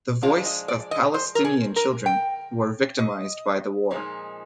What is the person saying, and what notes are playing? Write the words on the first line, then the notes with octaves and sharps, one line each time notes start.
The voice of Palestinian children, who are victimized by the war.
F3 G#3 D4 F4
D#5
D5
D#5
C5
A#4
G#4
A#4
G5
D#5
A#2 F3 G#3 D#4